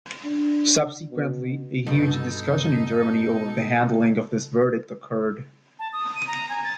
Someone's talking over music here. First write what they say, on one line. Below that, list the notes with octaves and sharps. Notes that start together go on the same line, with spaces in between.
Subsequently, a huge discussion in Germany over the handling of this verdict occurred.
D4
B2
G2 B2 D#4 A4
A5
D#6
D#7
A#5
G#5
A6